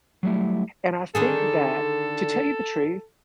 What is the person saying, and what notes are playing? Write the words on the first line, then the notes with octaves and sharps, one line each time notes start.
and I think that to tell you the truth,
F#3 G3 A3 E4
D3 D#3 G#4 A4